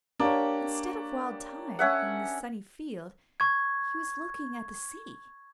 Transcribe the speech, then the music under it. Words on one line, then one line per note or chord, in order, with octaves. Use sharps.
Instead of Wild Thyme and the sunny field, he was looking at the sea.
A#3 D4 G4 C#5
C#4 E5 F#5
C#6 G#6